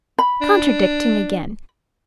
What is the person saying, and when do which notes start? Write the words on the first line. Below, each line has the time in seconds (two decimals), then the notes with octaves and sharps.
Contradicting again!
0.18 B5
0.41 D4